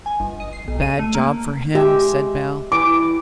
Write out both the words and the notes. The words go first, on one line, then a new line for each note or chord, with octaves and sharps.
"A bad job for him," said Bell.
G#5
G1
D#5
C7
B1
D#7
A3
A#3
G#3 G4 E5
E3 D6